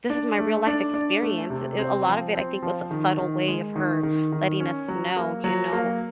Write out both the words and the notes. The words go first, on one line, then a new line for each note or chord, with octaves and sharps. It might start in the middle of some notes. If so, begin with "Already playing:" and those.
this is my real life experience, it a lot of it, I think, was a subtle way of her letting us know, you know
D4
A3
D4
D4
A3
C3
C4
F3
C4
F3
D#3
D#3
G#3
D#3
D#3
D#3
C#4
F#3
A#3
F#3
A#3